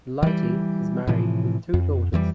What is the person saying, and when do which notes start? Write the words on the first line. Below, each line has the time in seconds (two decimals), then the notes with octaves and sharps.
Lighty is married with two daughters.
0.23 E3 G3
1.07 A2 C3 E3 F3
1.74 F2
2.13 F2 E3 F3 G3